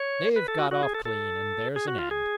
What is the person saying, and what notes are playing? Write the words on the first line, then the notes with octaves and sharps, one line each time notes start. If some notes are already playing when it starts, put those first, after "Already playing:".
They've got off clean, and there's an end.
Already playing: C#5
B4
A4
F#4
F#4
G#4
A4
A4
G#4
F#4
F4
G#4